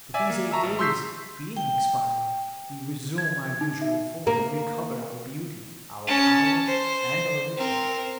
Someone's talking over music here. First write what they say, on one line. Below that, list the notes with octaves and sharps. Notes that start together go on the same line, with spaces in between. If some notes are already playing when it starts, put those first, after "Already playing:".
But these eight days being expired, we resume our usual form, and recover our beauty, our power, and our riches.
D5 E5 G#5
A#3
E5 A5 A#5 C#6
A1
C6 C#6 E6 G6 B6 C7
G5
G#6
D#4
E5
A#3
C#4 A5
C5
C4 A#4